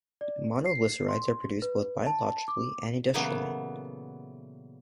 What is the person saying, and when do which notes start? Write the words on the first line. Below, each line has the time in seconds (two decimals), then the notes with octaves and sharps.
Monoglycerides are produced both biologically and industrially.
0.21 D5
0.66 C7
1.08 C6
1.62 B4
2.06 A5
2.48 D6
3.14 A#2 C#3 E3 F#3 A3 B3